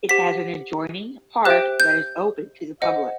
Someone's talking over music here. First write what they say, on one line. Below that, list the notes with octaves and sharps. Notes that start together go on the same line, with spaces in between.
It has an adjoining park that is open to the public.
G4 C5 F#5 B6
G4 C5 E5 G5 F#6
G6
C5 D#5 F#5